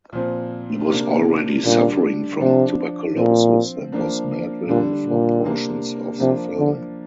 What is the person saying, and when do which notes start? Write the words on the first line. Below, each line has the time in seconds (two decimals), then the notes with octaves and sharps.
He was already suffering from tuberculosis and was bedridden for portions of the filming.
0.12 A#2 F3 C4
0.89 C3 A#3 D4
1.64 A#2 D3 G3 D4
2.41 C3 F3 D4
3.16 A#2 F3 C4
3.92 F3 A#3 D4
4.68 A#2 D3 G3 D4
5.06 A#2
5.44 C3 A#3 D4
6.20 C3 F3 A#3 D4
6.59 D3